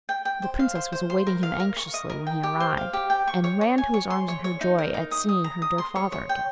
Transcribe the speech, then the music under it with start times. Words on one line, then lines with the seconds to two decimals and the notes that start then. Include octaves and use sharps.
The princess was awaiting him anxiously when he arrived, and ran to his arms in her joy at seeing her dear father again.
0.09 G5
0.25 G5
0.42 C5
0.59 F5
0.75 C5
0.92 C5
1.10 C6
1.27 A#4
1.43 F5
1.60 A#4
1.77 C#6
1.94 D#5
2.10 A#4
2.27 G5
2.43 G4
2.60 C5
2.77 F5
2.93 G4
3.10 G5
3.28 C#6
3.44 C#5
3.61 C#5
3.78 G#5
3.94 C#5
4.10 C6
4.28 C#5
4.44 C#5
4.61 D#4
4.78 A#4
4.94 D#4
5.11 D#6
5.29 D#6
5.44 A#5
5.62 D#6
5.78 C6
5.96 C#5
6.12 C#5
6.29 G5